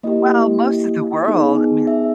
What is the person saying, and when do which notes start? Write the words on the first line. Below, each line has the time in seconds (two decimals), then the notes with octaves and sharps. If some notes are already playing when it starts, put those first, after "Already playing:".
Well, most of the world, I mean
0.03 A#3 E4 G4 D#5
1.27 B3 D#4 G#4
1.87 E5